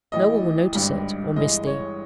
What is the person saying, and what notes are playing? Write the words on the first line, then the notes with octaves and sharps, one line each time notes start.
No one will notice it, or miss thee--.
A1 A2 E3 D#5
G#1 G2 D3 G3
G1 G2 E3 G#3 D#5
C#5